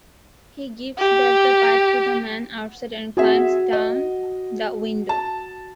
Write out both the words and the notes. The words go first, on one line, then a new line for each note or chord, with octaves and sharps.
He gives back the pipe to the man outside and climbs down the window.
G4
C4 F#4 G#4 E5
D#5
A5